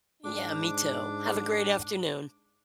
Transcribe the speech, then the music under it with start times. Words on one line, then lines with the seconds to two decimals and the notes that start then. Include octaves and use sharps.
Yeah, me too. Have a great afternoon.
0.24 G#2 D4 D6